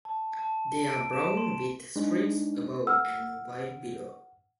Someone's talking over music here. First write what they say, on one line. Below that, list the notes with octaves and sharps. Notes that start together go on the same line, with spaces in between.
They are brown with streaks above and white below.
A5
A5
D7
E7
C6
G#3 D4 D#4
F#5 E6 F6